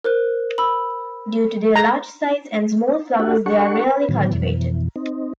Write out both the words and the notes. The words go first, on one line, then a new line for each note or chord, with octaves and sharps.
Due to their large size and small flowers, they are rarely cultivated.
A#4 C5 F#6
B5 E6
A#5
D4 F#4 G4 A4 F#5
D4 G4 A4 F#5 C#6
B4
A2 D3 D#3 F#3 B3
F2 B2 E3
C4 D#4